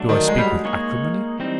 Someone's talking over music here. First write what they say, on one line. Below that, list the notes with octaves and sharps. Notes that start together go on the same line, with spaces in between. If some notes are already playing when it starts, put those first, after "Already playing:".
Do I speak with acrimony?
Already playing: F#3 A3 D4
D#3
G#3
G3
G#3
A#3 D#4 G#4 C#5
E3 G3 C4 D#4